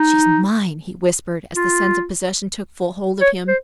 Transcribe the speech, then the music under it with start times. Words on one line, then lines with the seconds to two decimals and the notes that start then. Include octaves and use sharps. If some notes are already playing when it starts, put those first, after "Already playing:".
"She's mine," he whispered, as the sense of possession took full hold of him.
Already playing: D#4
1.56 F4
3.21 C#5
3.48 C5